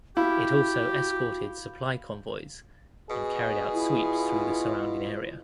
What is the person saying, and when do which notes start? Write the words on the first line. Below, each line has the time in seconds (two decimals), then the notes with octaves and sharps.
It also escorted supply convoys and carried out sweeps through the surrounding area.
0.17 E4 F#4 G4 F5 B5
3.10 B2 F#4 G#4
3.73 E4 F4